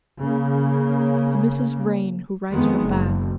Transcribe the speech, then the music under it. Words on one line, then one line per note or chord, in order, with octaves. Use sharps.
"A Mrs. Vrain, who writes from Bath."
C#3 A#3
F2 D#3 G#3 B3
F#1